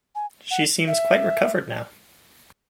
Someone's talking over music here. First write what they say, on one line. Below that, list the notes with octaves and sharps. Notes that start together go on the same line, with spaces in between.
She seems quite recovered now.
G#5
F#5
E5